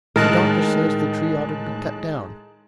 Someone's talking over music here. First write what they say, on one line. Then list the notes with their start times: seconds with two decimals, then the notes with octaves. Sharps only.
"The doctor says the tree ought to be cut down."
0.16 A2 D#3 G#3 D#4 A#4 A5 F#6